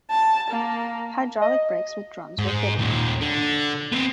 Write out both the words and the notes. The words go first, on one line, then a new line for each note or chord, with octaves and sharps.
Hydraulic brakes with drums were fitted.
A5
A#3
D#5
G#2
D#2 A#2
D3
B3 C4